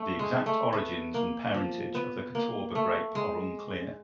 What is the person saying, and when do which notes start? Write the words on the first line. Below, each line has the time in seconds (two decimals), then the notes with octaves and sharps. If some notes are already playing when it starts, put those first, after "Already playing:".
The exact origins and parentage of the Catawba grape are unclear.
Already playing: A3
0.19 G#3
0.46 A3
0.73 B3
1.14 A#3
1.54 F3
1.95 B3
2.35 A#3
2.75 A3
3.15 G#3